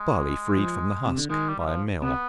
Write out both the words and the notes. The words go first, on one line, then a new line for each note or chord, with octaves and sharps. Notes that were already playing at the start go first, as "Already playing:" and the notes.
Barley freed from the husk by a mill.
Already playing: G#3
F3
C3
D3
D#3 G#3
G3
G3
F3
C3 B3